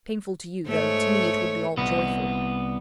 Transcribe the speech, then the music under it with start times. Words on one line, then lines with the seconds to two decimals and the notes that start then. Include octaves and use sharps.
"Painful to you, though to me it would be all joyful."
0.67 G#2 A3 C#5
1.77 C2 B3